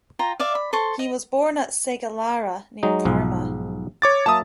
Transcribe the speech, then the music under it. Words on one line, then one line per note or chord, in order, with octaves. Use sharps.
He was born at Segalara near Parma.
F4 G5 A#5
D5 E5 F5
B5
A4 C5 C6 C#6
D#5
F#3 G#3 D#4
B1 G#2 F3
C#5 D6 A6
F#3 A#3 E5 A5 D#6